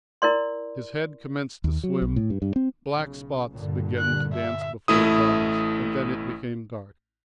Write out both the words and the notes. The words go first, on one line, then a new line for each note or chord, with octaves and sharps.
His head commenced to swim, black spots began to dance before his eyes, and then it became dark.
E4 A#4 D5 C6
D#2
F#3
B1
A2
G2
G2
C4
B1 C#3
G2 A#2 D3
F#6
E5
A1 A3 E4 D#6